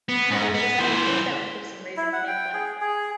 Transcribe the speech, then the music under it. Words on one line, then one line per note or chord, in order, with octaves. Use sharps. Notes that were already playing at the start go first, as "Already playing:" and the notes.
Yeah, they're just I mean, it's so interesting raising kids like
B3
G#2
B3
E3 C5
E4
F#5
G5
G#4
G#4